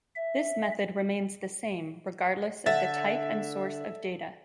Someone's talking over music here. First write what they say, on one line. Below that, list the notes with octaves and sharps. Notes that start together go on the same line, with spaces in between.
This method remains the same regardless of the type and source of data.
E5
D3 E5 A6